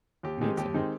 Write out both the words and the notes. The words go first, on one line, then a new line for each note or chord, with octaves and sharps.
me too.
D#2 G4
D#3 G#3 C4 D#4 G4
D#2 G4
D#3 G#3 C4 D#4